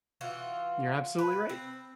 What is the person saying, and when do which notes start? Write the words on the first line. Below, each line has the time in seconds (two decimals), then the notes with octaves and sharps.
You're absolutely right,
0.21 E3 F4 F#4
1.18 B4
1.49 C4